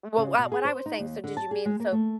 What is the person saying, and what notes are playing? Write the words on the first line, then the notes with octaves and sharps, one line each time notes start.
uh, well, what what I was saying, so did you mean, so
C#3
B2
G#4
C5
D#4
D#2
D3
A5
G#4
G#3
A#3
A3